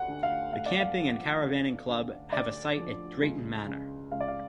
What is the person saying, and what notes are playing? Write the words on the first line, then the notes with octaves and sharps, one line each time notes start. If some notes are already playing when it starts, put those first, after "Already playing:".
The Camping and cravanning club have a site at Drayton Manor.
Already playing: D2 F#5
D3
F5
D2 F5
D5
F5
F3
D2
D3
D2 D5
F3
C#2
C#3
C#2 F5
D5
F5